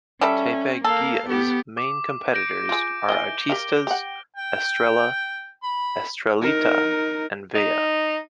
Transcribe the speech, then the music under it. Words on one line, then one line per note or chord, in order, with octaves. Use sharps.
"Teve Guia"'s main competitors are "Artistas", "Estrella", "Estrellita", and "Vea".
G3 C#4 A4 E5
A#3 A4 F5
B3 G4
D6
G6 A#6 D7
F4 G#4
D#3 E3 G#4 G7
G4 A#4 F5
G4 F#5
G5
B5
D#4 A#4
D#4